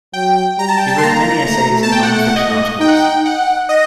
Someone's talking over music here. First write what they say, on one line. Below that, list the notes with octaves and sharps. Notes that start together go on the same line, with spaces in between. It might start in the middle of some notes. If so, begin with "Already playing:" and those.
He wrote many essays and non-fiction articles.
F#3 G5
G3 A#5
A5
G5
A5
C6
A#3 A#5
A3
A5
G5
F#5
F#5
F#5
D#5
D#4 G5
F#5
G5
F#5
D#5